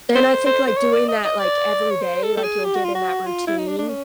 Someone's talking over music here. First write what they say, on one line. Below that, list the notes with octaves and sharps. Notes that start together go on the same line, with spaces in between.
And I think, like, doing that, like, every day, like, you'll get in that routine,
C5
C5
C5
C#5
D5
D#5
D#5
D5
C#5
C5
A4
A4
G#4
G4
F#4
F4
F#4
F4
E4
D#4
D4
D4
C#4